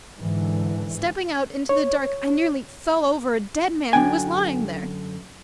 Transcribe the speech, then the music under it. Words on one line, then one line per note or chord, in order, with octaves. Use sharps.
Stepping out into the dark, I nearly fell over a dead man, who was lying there.
G#2 D3 E3
C#5
F#2 D3 F3 D4 G5 G#5